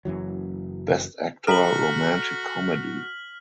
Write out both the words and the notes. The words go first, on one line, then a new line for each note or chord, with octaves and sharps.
Best Actor Romantic Comedy.
F#1 F#2 E3 F#3
F#4 A4 A#5 F6 B6 F#7